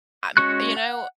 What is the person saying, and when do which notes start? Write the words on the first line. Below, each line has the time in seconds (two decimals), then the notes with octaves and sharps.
I'm you know
0.37 G#3 C#4 F#4 C#6 F#6
0.77 F#5